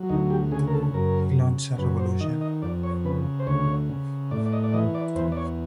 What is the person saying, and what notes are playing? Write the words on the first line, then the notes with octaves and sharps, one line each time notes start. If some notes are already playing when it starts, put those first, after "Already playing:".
He launched a revolution.
Already playing: F#3
D2 D#4
G4
C#3 G#4
A#4
A4
F#2 A#4
C#3
F#2 B4
C5
D#3 D#5
D#5
F2 D5
C#5
C#3 B4
C5
D2 C#5
C#3
A2 D5
D5
D#5
D5
E3 D#5
D5
E2 C5
D5
C#5